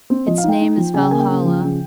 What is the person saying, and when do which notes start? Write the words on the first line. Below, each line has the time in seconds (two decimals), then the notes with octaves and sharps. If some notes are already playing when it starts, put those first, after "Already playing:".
Its name is Valhalla.
0.10 C4
0.27 F3 D#5
0.38 F5
0.43 D#4
0.49 G5
0.61 D#4
0.77 F3
0.94 C#3 G#5
1.03 G5
1.11 A#3 G#5
1.20 G5
1.28 C#3
1.45 F3
1.61 C#3